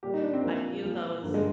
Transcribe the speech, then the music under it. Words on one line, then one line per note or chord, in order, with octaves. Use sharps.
I view those,
A#2 G3 G4
D#4
D4
C4
A#2 F3 A#3
A#2 F3
G2 D3 F3 A#3
G#3